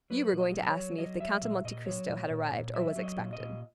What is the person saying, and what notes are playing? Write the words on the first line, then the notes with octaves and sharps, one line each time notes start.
"You were going to ask me if the Count of Monte Cristo had arrived, or was expected."
F#3 B4
A#2
D#5
F#3
C#5
F#3
F#3 D#5
F#3 E5
A#2 E5
A#2 D#5
F#3 C#5
A#2
A#2
A#2
F#3 E5
F#3
D#5
A#2
D#5
A#2